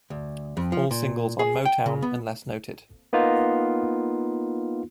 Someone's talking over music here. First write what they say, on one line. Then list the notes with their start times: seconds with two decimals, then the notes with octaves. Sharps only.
All singles on Motown, unless noted.
0.10 D2
0.57 F2
0.72 F3
0.91 A#2
1.39 G#4
1.65 G5
1.86 C#3
2.02 B3
3.13 A#3 B3 D#4 F4